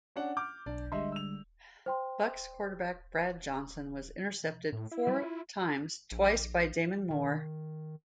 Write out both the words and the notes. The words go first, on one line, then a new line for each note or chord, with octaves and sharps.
Bucs quarterback Brad Johnson was intercepted four times, twice by Damon Moore.
C#4 D4 F#5
D6 F6 G6
B1 D4 D5
D3 G3 G#3 D#5 E5 C6
E6 F7
C5 G5 C6
A2
E4
F#3 G3 B4
F4
A#1
D#3